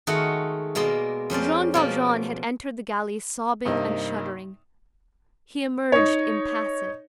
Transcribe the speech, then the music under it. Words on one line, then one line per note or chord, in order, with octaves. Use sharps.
Jean Valjean had entered the galleys sobbing and shuddering; he emerged impassive.
D#3 G#3 A3 D#4 F#4 F#5
B2 G#3 A#3 D5 C6
F2 C#4 C5 D5
B2 F3 A#3
G2 C3 A#3 D#4
D#4 C#5